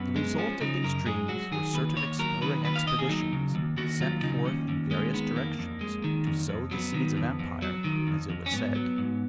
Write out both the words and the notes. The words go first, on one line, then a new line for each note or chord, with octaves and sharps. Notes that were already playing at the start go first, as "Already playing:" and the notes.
The result of these dreams were certain exploring expeditions sent forth in various directions to "sow the seeds of empire," as it was said.
Already playing: F#2 B3
G#3
F3 C#4
C#3 D#4
F#2 A#4
G#3 G#4
F#3 F#4
D#3 G#4
D#2 B4
D#2 C#5
F#3 A#4
D#3 B4
D#2 B4
F5
D#2 D#5
G#4
F#3 D#4
C#3
D#2
D#2 F#4
F#3 F4
C#3 D#4
D#2 C#4
D#2
G#3 C#4
D#3 B3
F2 A#3
F2
G#3
D#3
F2
F2
F#3 B3
D#3
F2
F2
F#3
D#3
F2
F2
C#4
G#2 B3
F#3
G#2